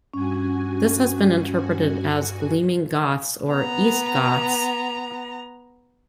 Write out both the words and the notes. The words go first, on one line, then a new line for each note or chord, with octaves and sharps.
This has been interpreted as "gleaming Goths" or "east Goths".
G2 C#4 F#4 G#5
B3 A#5